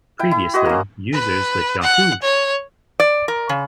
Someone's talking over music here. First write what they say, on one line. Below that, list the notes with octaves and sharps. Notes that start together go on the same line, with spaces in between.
Previously, users with Yahoo!
E4 G5
E4
F#4 C5 D#5
A#3 C#4
B4
F#5
C#5
D5
A#4
C#3